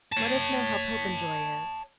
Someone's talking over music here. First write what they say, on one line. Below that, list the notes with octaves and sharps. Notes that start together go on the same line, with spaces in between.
"Let us know how Popenjoy is."
C#5 A5